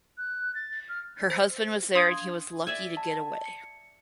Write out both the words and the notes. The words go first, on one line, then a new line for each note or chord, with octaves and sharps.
Her husband was there and he was lucky to get away.
F#6
A6
F6
C5 E6
D4 F5 C6 D#6 G#6
D5 E5 G#5
A5
C#7